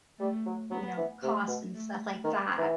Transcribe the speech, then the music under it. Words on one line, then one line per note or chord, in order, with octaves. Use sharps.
you know, cost and stuff like that.
G3 A3
F#3
F#3 B3
E3
C3 A3
B2
A3
D#3 B3
E3